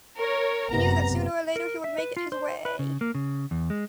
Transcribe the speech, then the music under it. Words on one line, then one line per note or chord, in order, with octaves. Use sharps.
He knew that sooner or later he would make it his way.
A#4 C#5
F#1 C3 B3 A#5
A#4
E5
B4
F4
C5
B4
C#3
A#3
C#3
E2
G#3